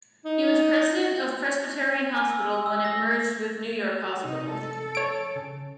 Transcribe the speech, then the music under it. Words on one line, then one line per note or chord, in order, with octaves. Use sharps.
He was president of Presbyterian Hospital when it merged with New York Hospital.
D#4
G#5
E6
D#6
E6
A#6
C3 D#4
A4
C#5 D7
C#3